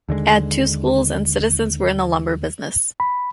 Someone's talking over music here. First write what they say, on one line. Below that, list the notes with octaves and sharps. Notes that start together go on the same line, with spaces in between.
It had two schools, and citizens were in the lumber business.
D#2 D3 F3 G#3
B5